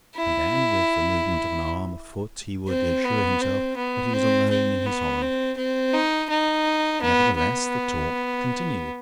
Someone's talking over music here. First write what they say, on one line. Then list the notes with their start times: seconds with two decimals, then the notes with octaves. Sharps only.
And then, with the movement of an arm, a foot, he would assure himself that he was alone in his holland. Nevertheless, the talk continued.
0.16 E4
2.68 C4
3.04 B3
3.41 C4
3.77 B3
4.14 C4
4.50 C4
4.85 B3
5.22 C4
5.57 C4
5.93 D#4
6.30 D#4
7.02 B3
7.37 B3